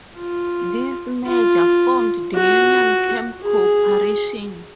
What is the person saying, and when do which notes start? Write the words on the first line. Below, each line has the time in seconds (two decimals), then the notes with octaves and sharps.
This merger formed the Union Camp Corporation.
0.18 F4
1.27 F4
2.36 F#4
3.43 G#4